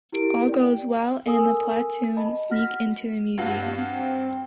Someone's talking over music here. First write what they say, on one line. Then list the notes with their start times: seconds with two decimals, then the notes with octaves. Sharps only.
All goes well, and the platoon sneak into the museum.
0.12 E4 G4 A#4 D7
0.49 D5 G5
1.26 A4 A#4 G#5 D#6 E6
2.17 D#5 A5 B5
2.50 F#4 F#5 F6 A#6 B6
3.38 G2 F#4 F5
3.85 C4